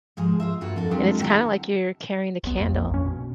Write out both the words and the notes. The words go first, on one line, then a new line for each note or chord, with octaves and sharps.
and it's kinda, like, you're carrying the candle,
G#2 F3 G#3 G#4
F4 C5 E5
G2 A#3 F4 F#4
F2 D4 A4
F#3 G#3 C4 D4 F4 G4
D#2 D3 E4 G4 A5 A#5
B1 B3
F2
A#1 A#3
F2 C#4
B2